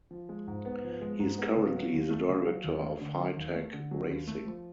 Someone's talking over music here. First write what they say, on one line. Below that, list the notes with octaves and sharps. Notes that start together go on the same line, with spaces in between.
He is currently the director of Hitech Racing.
F3
G#3
G#2
B3
F3
G#3
G#2
B3
C#3
F#3
D#2
A3
C#3
F#3
D#2
A3
D3
F#3
D#2
A3
D3
F#3
D#2
A3
F3